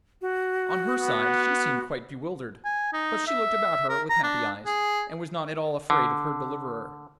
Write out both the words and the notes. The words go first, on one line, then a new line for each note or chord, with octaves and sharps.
On her side she seemed quite bewildered, but she looked about her with happy eyes, and was not at all afraid of her deliverer.
F#4
B3
G#5
D#4
E5
A#4
A#5
D4
G#4
D3